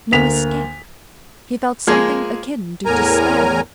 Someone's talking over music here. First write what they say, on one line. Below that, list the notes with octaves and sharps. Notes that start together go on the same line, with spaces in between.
No escape! He felt something akin to despair.
D2 A#3 B6 F7
F3 G#3 A#3 G#4
E2 A2 A#4 G#5 A#5